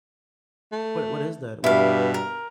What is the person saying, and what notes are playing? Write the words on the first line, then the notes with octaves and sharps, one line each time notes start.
What i what is that? What, l
A3
G2 B2 G3 E4 F5
A#4